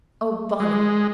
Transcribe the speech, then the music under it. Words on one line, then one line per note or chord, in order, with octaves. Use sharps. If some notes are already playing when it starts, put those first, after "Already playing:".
Oh, Bonnie!
G#3